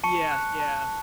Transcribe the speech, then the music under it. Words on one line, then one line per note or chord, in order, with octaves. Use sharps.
Yeah, yeah.
A5 C#6 C#7
F#6
A5